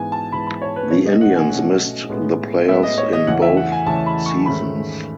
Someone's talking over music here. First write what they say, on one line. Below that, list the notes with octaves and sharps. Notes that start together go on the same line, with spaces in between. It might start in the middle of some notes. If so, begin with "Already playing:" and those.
The Indians missed the playoffs in both seasons.
Already playing: G#2 E3 B3 G#5
A5
G#2 E3 B3 B5
B5
C#5
B4
B2 A3 C#4 C#5
D#5
F#5
G#5
B2 A3 C#4 F#5
A2 G#3 B3
A2 G#3 B3 E5
D#5
C#5
D#5
E2 C#3 E3 A3 C#4 F#5
E5
F#5
G#5
E2 C#3 E3 A3 C#4 A5
B5
C#6
G#2 D#3 A3 C#4 B5